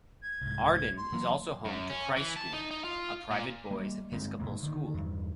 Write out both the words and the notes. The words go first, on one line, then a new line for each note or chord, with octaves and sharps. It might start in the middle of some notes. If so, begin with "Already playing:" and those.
Arden is also home to Christ School, a private boys Episcopal school.
G#6
C2 G#2
G#6
C6
E3 F#3 A#3
F#2
C#4
E3
A5
D#4
D#4
F4
A#2
G3 A#3
G1 G#3 C4
B1 E2 G#2 A#3
D3 D#3
E2 G2